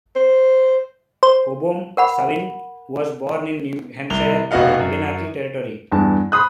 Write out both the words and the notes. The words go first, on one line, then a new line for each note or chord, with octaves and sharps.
Obomsawin was born in New Hampshire on Abenaki Territory.
C5
C5
A#4 F#5 B5
C2 F7 G7
F1 B2 F#4 D#5 F5 F#5
F#2
E2 G2 A5
B5 C6 D#6 F#6